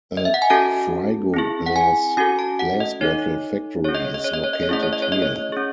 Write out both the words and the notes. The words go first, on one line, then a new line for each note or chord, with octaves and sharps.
A Frigoglass glass bottle factory is located here.
D#5
E5
F#5
G#5
C#4 F#4 A4 A5
C4 E4 G#4
F#5
G#5
C#4 F#4 A4 G#5
A5
F#5
D#5
D#4 A4 C#5
C#4 G#4 C#5
D#5
C#5
D#5
C#5
D#5
C#5
D#5
C#5
A3 C#4 E4 G#4 D#5
C#5
D#5
C#5
D#5
C#5
C#4 G#4